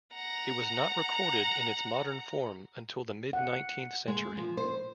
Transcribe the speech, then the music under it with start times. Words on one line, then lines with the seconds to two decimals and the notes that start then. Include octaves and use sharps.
It was not recorded in its modern form until the mid-nineteenth century.
0.15 F#5 A#5
3.33 F#5
4.08 G#3
4.37 F3
4.57 C5